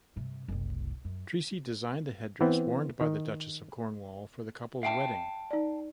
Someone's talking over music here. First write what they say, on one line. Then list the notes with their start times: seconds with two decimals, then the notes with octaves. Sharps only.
Treacy designed the headdress worn by the Duchess of Cornwall for the couple's wedding.
0.16 G2 C3
0.48 F#1 C2
1.05 F#2
2.41 E3 B3 C4
3.01 D#3
4.83 E5 F5 G5 A5
5.51 D#4 D5